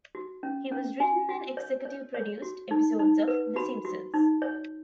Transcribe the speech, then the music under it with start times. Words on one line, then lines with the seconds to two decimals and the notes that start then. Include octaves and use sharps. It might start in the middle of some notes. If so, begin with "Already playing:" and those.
He has written and executive produced episodes of "The Simpsons".
0.15 F#4
0.43 C#4
0.71 C#4
1.00 F#4 G#5
1.29 F#4
1.57 C#5
1.85 C#5
2.14 C#5
2.42 F#4
2.71 D#4
2.99 D#4
3.28 B4
3.56 F#4 B5
3.85 F#4
4.14 D#4
4.42 C#5